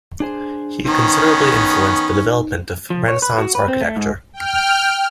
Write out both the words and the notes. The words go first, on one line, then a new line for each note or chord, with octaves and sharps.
He considerably influenced the development of Renaissance architecture.
D4 G#4 C5
D#3 B3 C#4 D#4 C5
F3
C#5
B4
F#4
B4
C4
A3
G#2
G5 F6